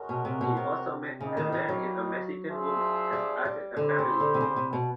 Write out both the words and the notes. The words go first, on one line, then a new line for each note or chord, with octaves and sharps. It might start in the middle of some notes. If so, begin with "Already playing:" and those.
He also met and married a Mexican woman and started a family.
Already playing: G#3 C#4 F#4 A#4
B2
C3
B2
C3
C#3 G3 A#3 D#4
D#3
E3
F#3
D4 F4 G#4 C5 E5
G3
G3
D3 C4 E4 G4 C5
C#3
D3
C3
C#3
C3
B2